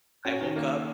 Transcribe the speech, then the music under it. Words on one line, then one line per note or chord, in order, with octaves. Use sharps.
I woke up
C#4 F#4
D#3
A#3